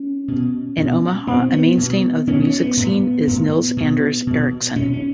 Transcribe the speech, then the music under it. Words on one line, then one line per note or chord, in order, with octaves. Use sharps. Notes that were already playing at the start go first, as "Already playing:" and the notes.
In Omaha, a mainstay of the music scene is Nils Anders Erickson.
Already playing: C#4
B2
B2
B2 C4
B3
B2
B2 C#4
C#4
B3
A2 B3
A2
B2
B2
B2 C#4
C#4